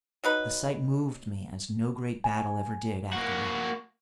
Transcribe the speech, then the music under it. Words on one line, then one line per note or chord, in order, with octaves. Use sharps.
The sight moved me as no great battle ever did afterward.
F#3 D#4 B4
G#5
A#3 F#4